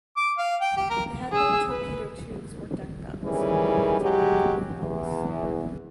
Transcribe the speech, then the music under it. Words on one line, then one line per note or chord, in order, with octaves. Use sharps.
They had no torpedo tubes or deck guns, only anti-aircraft guns.
D6
F5
G5
G4
A#4
G#4 E6
B4
D#3 E3 G3 C#4 G#4
F#3 G#3 G4
E2